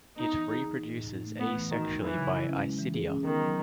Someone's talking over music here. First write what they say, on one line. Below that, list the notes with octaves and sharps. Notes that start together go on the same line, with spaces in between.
It reproduces asexually by isidia.
B3 D#4
E3
G#4
D#4
E3
A2
D#4
A3
A3 B3
E3
D#3 F#4
D#4
E3 F#3
C#3
E4
C#4
G#3
E3
G#4
C#4
D#3 B3
F#3